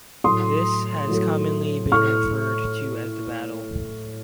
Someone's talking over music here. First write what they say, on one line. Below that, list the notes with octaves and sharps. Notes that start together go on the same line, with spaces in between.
This has commonly been referred to as the battle.
A2 F#3 A3 C6 D#6
A2 F#3 A3
A2 A3 C#6 F6